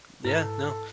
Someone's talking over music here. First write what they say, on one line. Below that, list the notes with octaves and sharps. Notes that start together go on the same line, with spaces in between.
Yeah. No.
G#2 E4 A4 B4